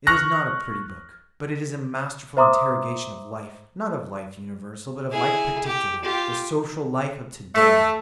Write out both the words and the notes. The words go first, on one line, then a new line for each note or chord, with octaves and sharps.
It is not a pretty book, but it is a masterful interrogation of life--not of life universal, but of life particular, the social life of to-day.
C#6 F6 F#6 A#6
C5 E5 A#5 C6 D6 D#6
E4 G#4
G4
F4 G4
A3